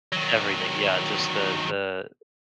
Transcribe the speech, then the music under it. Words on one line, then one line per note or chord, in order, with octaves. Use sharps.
everything, yeah, just the the
D#3 F#3